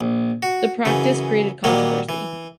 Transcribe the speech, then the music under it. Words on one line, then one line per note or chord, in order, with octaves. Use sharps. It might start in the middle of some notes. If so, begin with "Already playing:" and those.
The practice created controversy.
A#1
F#4
F#2 C#3 E3
A#2 D#3 F#3 G3 A#3
E3